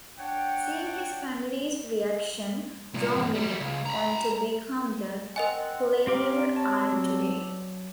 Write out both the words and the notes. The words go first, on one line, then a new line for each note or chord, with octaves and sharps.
Seeing his family's reaction drove me on to become the player I am today.
D4 C#5 F#5 G5
C2 A#2
E2 G2
F#3 G3
C#2
A#5 B5
C4 A#4 D#5 F#5 G#5
G3 C4 D#4 G4 F5 D6
A4 C#5 D5 A5
F#3